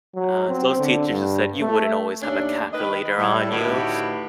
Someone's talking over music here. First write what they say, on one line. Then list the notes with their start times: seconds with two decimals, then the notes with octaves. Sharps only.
Uh, those teachers just said, "You wouldn't always have a calculator on you."
0.15 F#3
0.49 C4
0.78 D3
1.09 G2
1.60 A3
2.22 D#2 A3 C#4 D4
2.73 D#3 B4 D#5
3.17 A2 G3
3.51 D2 A2 D#3 F#4 G4 B4